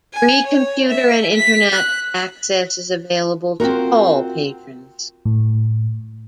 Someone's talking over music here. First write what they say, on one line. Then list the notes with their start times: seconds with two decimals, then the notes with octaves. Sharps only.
Free computer and internet access is available to all patrons.
0.14 G#5
0.47 C#5
0.89 E5
1.34 B6
1.73 F#6
3.60 C4 F4 F#4 A#4
5.25 A2